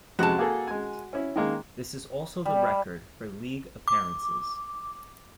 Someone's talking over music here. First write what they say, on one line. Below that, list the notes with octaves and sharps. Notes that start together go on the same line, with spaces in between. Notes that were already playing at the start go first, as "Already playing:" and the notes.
This is also the record for League appearances.
F2 C3 G#3 F#4 A5
A#3 G#4 A4
G#3 G#5
C#4 E4
D#3 G#3 A#3
G3
D6